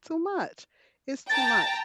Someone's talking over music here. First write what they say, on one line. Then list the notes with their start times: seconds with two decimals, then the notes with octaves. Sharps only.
too much, it's too much.
1.30 G5 A5 A#5 A6